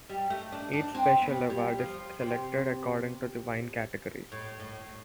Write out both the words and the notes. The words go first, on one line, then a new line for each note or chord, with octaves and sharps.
Each special award is selected according to wine categories.
G3
A3
D4
D4
C4
B3
G3
F3
C3
A2
A2